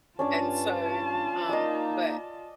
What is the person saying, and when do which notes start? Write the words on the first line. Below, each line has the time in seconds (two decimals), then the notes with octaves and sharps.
And so, um but
0.19 G2 C#4 D4 F4 D5 A5
1.49 A#3 D#4 D5 D#5